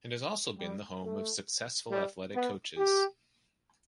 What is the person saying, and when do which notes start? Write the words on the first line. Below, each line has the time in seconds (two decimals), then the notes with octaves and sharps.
It has also been the home of successful athletic coaches.
0.58 G3
1.03 A3
1.90 G3
2.34 B3
2.78 G4